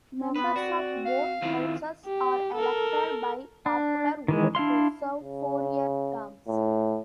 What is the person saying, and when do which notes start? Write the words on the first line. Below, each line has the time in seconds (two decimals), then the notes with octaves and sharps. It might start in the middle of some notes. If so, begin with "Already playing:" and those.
Members of both houses are elected by popular vote to serve four-year terms.
0.17 C4
0.36 B3 C4 B4
0.56 F#4 D5
1.05 F5
1.42 D#3 C4 E4 F4
2.05 G4
2.56 A4 A#4
3.66 D4
4.28 D#3 E3 G#3
4.55 D4 E4 F5 C6
5.21 C#3
6.48 A2